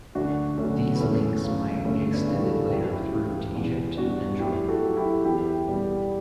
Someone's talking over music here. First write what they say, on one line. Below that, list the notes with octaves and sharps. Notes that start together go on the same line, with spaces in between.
These links might be extended later through to Egypt and Jordan.
D2 D4 F#4
D3 F#3 A3 C#4
B3
E2 A3 C#4
C#3 F#3
D2 A3 C#4
B3 D4
C#3 E3 G3
F#4 A4
C#2 G4
F#4
E4 G4
C#3 E3
E2
B2 G3 D4 F#4
A2 E4 G4
F#4 A4
F#3
E4 G4
E2 E4 G4
B2 G3